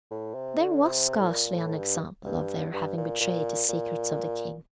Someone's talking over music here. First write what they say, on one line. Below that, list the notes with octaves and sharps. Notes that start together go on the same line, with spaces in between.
There was scarcely an example of their having betrayed the secrets of the king.
A2
C3
D3
C3
A2
A#2
A2
G2
G2
G2
A#2
A#2
A#2